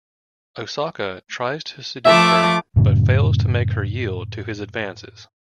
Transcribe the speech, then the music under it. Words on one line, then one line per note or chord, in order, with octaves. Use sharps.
Osaka tries to seduce her but fails to make her yield to his advances.
F3 A3 E5 D6
F#2 A2 C#3 F#3